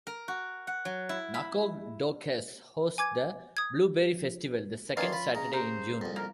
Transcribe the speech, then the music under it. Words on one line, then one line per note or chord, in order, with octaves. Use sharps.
Nacogdoches hosts the Blueberry Festival the second Saturday in June.
A#4
F#4
F#5
F#3
E4
B5
G#5 D6 G#6
D#6 G#6
D#3 E3 C#4 D4 F5 C6
F4 B5
C#3 A#5
A#4 C5
C2 F2
A#3 A#4